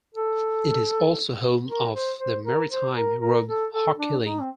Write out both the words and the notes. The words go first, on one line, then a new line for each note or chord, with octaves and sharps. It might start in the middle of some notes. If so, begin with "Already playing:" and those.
It is also home of the Maritime Road Hockey League.
A4
A#4
C5
C5
A#4
C5
A#4
A#4
A4
A4
D4
D#4
C4